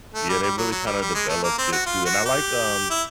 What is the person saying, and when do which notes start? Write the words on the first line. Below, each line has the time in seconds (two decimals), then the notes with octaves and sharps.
Yeah, they really kinda developed it too, and I liked, um
0.14 A3
0.29 G3
0.43 G3
0.58 F#3
0.72 F#3
0.87 G3
1.01 G3
1.15 G#3
1.29 A3
1.44 A#3
1.58 C4
1.73 F#4
1.86 F4
2.06 F#4
2.25 G4
2.91 E4